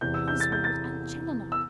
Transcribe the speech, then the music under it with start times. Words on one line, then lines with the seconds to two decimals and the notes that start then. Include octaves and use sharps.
Oswald and Challoner!
0.01 E2 C3 E3 G6
0.14 E6
0.28 G6
0.40 A6
0.52 G6
0.64 A6
1.52 E6